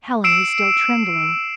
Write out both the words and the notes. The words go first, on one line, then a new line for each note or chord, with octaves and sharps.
Helen was still trembling.
E6 C7 D7 E7